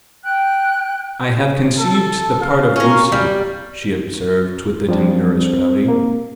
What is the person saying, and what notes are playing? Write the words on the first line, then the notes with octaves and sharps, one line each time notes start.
"I have conceived the part of Lucy," she observed, with the demurest gravity.
G5 F#6
A4
F5
C#4 A#4
G3
F3 G3 C4 D4
A#3